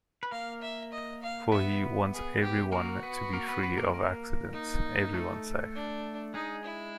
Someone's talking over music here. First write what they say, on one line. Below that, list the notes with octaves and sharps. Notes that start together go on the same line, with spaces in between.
For he wants everyone to be free of accidents, everyone safe.
B4
A#3 A#4 F5
E5
D#5
F5
B3 B4 E5
G#4
G4
A#3 F#4 A#4
B3 B4
A#3 A#4
B3 B4
B3 B4
A#3 A#4
A#3 A#4
D#4
A3 A4
D4
G#3 D#4 G#4
E4